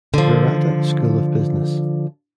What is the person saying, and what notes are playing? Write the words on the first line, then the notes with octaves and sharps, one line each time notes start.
Virata School of Business.
D3 F3